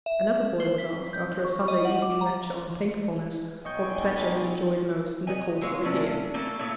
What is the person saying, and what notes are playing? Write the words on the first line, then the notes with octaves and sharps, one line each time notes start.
Another boy was asked, after a Sunday evening lecture on 'Thankfulness,' what pleasure he enjoyed most in the course of a year.
E5
C5
B6
G6
C#6
D#5
F#5
D6
A#5
B1 D#5 G5 G#5 C#6 G6
B4 C#5 D#5 G#5
F#3 G#3 A#3 C#5
C3 G3 A3 C#4 D4
A3 A#3 C#4 E4
A#2 A3 E4 C#5